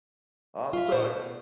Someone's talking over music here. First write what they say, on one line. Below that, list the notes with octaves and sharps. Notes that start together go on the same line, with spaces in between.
I'm sorry
F4 E5
A#2 A3 C5 D5 F#5
B2